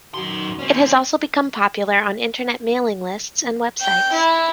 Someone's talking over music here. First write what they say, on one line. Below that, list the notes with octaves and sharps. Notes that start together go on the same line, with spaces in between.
It has also become popular on Internet mailing lists and websites.
F#2 D#3 D#4 F#4 C6
C4 C#4
G5
E4